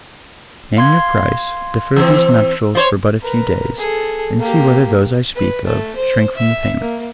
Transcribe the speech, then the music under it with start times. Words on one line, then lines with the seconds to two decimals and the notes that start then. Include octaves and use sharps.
Name your price, defer these nuptials for but a few days, and see whether those I speak of, shrink from the payment.
0.77 F5 C6 G#6
1.96 E3 C4 E6
2.75 F3 C5 C#5
3.21 A#4 B4
3.78 G#4 A4
4.39 A#3 G4
5.35 B4
5.67 A3
5.96 C5
6.37 E5
6.81 A#3